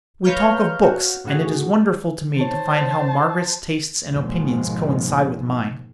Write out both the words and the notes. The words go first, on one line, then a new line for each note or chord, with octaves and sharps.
We talk of books; and it is wonderful to me to find how Margaret's tastes and opinions coincide with mine.
B4 C#5 F5 A#5 F6 G6
F#4
A2 C#3 F#4 G#4
D#3 C5 C#5 A5
D#2 G#2 B2 D#3 F3 G#3